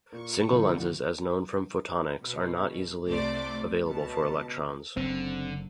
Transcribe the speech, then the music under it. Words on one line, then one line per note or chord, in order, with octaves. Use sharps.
Single lenses as known from photonics are not easily available for electrons.
A#2 C#6
F2 A2 D3 F4
B2
C2 C3 A3 C5 D5 D6
C#2 B2 A5
F#1 D3 C4